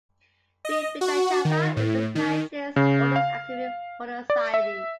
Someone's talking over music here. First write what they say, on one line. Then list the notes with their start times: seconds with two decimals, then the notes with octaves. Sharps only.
Phi Beta Kappa is the nation's oldest academic honor society.
0.65 D#5
1.01 F#4
1.45 D#3
1.77 A2
2.15 D#3
2.76 C#3
3.16 F5
4.30 D5
4.54 E5